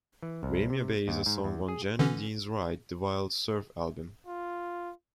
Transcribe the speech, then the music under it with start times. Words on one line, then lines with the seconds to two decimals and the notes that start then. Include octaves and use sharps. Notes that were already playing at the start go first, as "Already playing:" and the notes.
Waimea Bay is a song on Jan and Dean's Ride The Wild Surf album.
0.23 E3
0.43 C2
0.70 C3
1.08 D#2
1.26 G#2
1.44 E2
1.68 G#4
1.99 D3 E3 C#4
4.27 F4